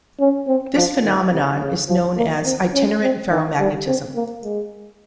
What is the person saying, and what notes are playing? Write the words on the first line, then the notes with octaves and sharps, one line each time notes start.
This phenomenon is known as "itinerant ferromagnetism".
C#4
C4
F3
D#3
C3
C#3
F3
A#3
C4
C#4
C4
D#3
G3
C4
A#3
G#3